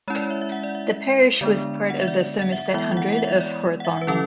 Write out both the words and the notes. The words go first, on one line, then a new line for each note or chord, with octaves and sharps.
The parish was part of the Somerset hundred of Horethorne.
G#3 C#4 E4 C#5
D5
C#5
E5
E5
F#5
D5
E5
D3 G#3 B3 D4 D5
F#5
E5
D5
F#5
E5
E3 G#3 B3 E4 E5
F#5
F#5
E5
C#5
D5
F#5
E5
B4
D3 F#3 C#4 E4 A4